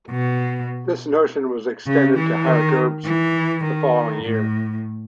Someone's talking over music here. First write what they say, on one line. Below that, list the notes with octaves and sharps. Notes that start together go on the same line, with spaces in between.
This notion was extended to higher gerbes the following year.
B2
C#3
E3
D#3
E3
D#3
A2